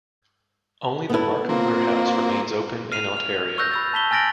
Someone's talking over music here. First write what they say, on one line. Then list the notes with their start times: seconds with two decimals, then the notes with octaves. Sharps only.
Only the Markham warehouse remains open in Ontario.
1.10 B3 E4 A4
1.49 A#3 C4 F4
2.92 F6 C7 D#7 F7
3.17 F6
3.58 C#6 E6 F#6 G6 A#6
3.72 B5 E6 A6
3.93 A5 B6 G7
4.11 G#5 F6 A6 A#6 D7 F#7